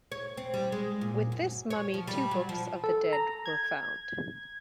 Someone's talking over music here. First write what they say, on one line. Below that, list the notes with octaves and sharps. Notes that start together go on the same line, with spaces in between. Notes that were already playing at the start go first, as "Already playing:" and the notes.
With this mummy two Books of the Dead were found.
C#5
C4
G3
G#3
A#2
F#2
C#5
F3
G3
F#3
F3
A4
A#5
G#6